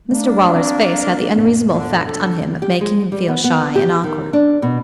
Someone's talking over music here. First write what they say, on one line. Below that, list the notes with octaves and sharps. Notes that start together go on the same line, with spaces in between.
Mr Waller's face had the unreasonable effect on him of making him feel shy and awkward.
A3 A#3 D4
C4
F1 A2 B3
D3
D3 A4
G4
G#3
G3
B3
B3
G4
D#3
D4
B2